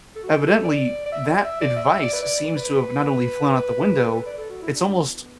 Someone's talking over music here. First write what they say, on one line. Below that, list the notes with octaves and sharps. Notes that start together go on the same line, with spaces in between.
Evidently, that advice seems to have not only flown out the window, it's almost
A4
F#4
A4
D5
D5
E5
D5
E5
D5
E5
E5
D5
B4
D5
B4
A4
B4
D5
A4
F#4
E4
D4
D4
B3